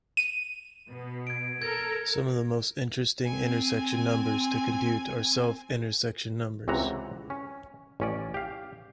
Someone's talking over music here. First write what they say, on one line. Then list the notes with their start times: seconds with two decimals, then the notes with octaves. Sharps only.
Some of the most interesting intersection numbers to compute are "self-intersection numbers".
0.17 D#7
0.90 B2
1.27 G#6 D7
1.62 A4 A#4 G#6
3.26 C4 G#5
6.68 C#2 C3 E3 F#4 A#5
7.30 C#4
8.00 A1 C#4 D5
8.34 G4 F5